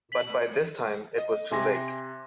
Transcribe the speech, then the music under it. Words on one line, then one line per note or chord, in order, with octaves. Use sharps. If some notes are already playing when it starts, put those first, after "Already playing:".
But by this time, it was too late.
B6 F#7
D#5
C3 E5 G#5 C6 D6 A#6